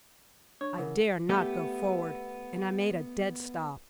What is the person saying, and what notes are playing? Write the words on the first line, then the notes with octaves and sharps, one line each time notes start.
I dare not go forward, and I made a dead stop.
D4 C#5
C#3 E3 A#4 F#5
A3 B3 G4